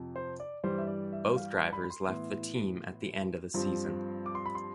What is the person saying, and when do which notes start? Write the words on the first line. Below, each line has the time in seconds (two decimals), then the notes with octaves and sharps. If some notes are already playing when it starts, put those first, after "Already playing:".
Both drivers left the team at the end of the season.
Already playing: F2 C3 F3
0.16 C5
0.40 D5
0.64 G2 E3 G3 C5
0.78 E5
0.87 D5
1.13 E5
1.36 F5
1.54 A5
1.73 B5
1.84 B5
1.90 C6
2.08 A2 E3 B3 E4 C6
3.54 G2 F3 C4
4.26 D6
4.35 C6
4.46 B5
4.55 C6